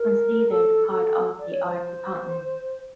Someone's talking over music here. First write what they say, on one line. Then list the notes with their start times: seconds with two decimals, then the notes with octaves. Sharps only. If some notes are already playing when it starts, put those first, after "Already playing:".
Considered part of the art department.
Already playing: A#4
0.50 A4
0.88 A4
1.40 D5
1.52 C#5
1.66 C5